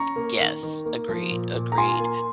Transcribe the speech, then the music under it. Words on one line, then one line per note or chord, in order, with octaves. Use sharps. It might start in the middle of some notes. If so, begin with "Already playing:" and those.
M yes, agreed, agreed.
Already playing: C#4 A#5 C#6
A#3
D#3
D#3
A#3
F3
A#2
A#2
A#5
F4 G#5 C6
A#3